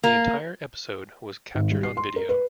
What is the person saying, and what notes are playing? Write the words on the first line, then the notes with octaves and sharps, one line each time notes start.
The entire episode was captured on video.
A#3
G#1
G3
C7
C6
A#4
B4